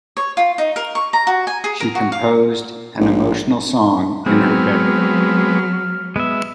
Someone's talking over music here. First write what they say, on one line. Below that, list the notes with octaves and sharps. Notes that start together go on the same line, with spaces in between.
She composed an emotional song in her bedroom.
C#5
F4
D#4
A#4
C#6
A#5
F#4
G#5
G#4
A#4
F#4
F5
A#1
F#3 G#3 B3 C4 F6
G#3 B3 E5